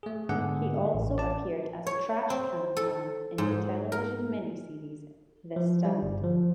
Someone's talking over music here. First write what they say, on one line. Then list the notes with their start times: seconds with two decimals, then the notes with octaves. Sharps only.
He also appeared as Trashcan Man in the television miniseries "The Stand".
0.03 A3 G#4
0.29 G#2 D3 B3 G#4 F#5
0.94 A1
1.18 D5 A5
1.87 C#5
2.30 C4
2.77 A4
3.38 G#2
3.92 A#4
5.56 F3
5.85 G3
6.02 G1
6.24 F3